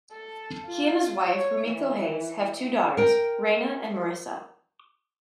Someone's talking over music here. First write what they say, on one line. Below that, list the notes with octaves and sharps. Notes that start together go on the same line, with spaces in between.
He and his wife, Rumiko Hayes, have two daughters, Reina and Marissa.
A4
F4
C#5
E3
A#4 G5